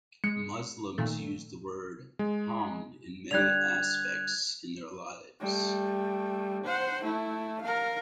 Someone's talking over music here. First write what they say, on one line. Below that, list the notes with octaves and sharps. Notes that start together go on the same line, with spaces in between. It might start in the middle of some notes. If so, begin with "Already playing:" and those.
Muslims use the word Hamd in many aspects in their lives.
G#3 C#7
A#2 D#3 A3
G#3
D3 G3 F#6 G#6 F7
G3 A3
C5 F#5
A3 E4
A#4 F5